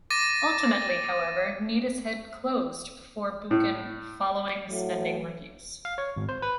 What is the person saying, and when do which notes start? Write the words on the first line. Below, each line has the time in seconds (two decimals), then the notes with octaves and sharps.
Ultimately, however, Neatishead closed before Buchan following spending reviews.
0.10 D6 A6 A#6 D#7
3.51 A2
4.68 A2 F#3
5.85 F5
5.98 C#5
6.16 G#1
6.29 C5
6.42 B4